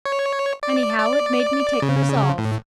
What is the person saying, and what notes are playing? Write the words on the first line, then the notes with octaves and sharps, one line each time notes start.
Anyhow, it made me take a resolve.
C#5
D5
D5
C#3
A2